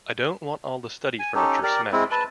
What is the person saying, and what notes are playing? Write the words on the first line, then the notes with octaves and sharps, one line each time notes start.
I don't want all the study furniture smashed.
G#5
C#4 D#4 G4 A4
G4 A#4 D5
G#3 C4 E4
B4 A5